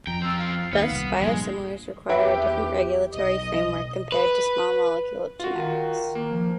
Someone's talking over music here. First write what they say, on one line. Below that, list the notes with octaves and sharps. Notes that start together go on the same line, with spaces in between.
Thus, biosimilars require a different regulatory framework compared to small-molecule generics.
F2 G5 A#5
C4 F4 E6
F5
D#2 B3
C2
A#1 G2 A#2 G#3
E2 G4 B4 E5 G5
B1 D#5
B4
F4 F#4
D#3
A#3
F3